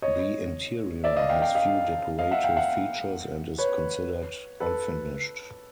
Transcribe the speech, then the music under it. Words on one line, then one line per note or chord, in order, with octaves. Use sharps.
The interior has few decorative features and is considered unfinished.
C#5 D#5
D5 E5
D#5 F5
F5 G5
F5 G5
D#5 F5
D#5 F5
E5 F#5
F5 G5
E5 F#5
B4 C#5
A4 B4